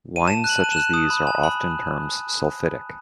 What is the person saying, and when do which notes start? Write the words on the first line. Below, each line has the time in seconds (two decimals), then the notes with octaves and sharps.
Wines such as these are often termed "sulfitic".
0.16 D#7
0.27 A5 E7
0.44 F#6
0.50 F#7
0.60 A5 D#7
0.72 F#6 E7
0.94 D#6
1.10 B5
1.27 G#5
1.43 B5